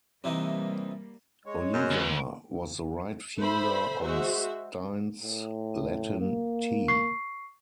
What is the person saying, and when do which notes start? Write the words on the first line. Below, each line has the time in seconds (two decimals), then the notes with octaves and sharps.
Oliva was the right fielder on Stein's Latin team.
0.24 C3 E3 G3 A#3 D#4
1.46 G#3 C#5
1.73 F#2
1.91 D2
3.39 A4 C5 E5 B5
4.01 G#3 F#4 C5 E5
5.22 A2
6.20 A#3
6.88 C#6 C7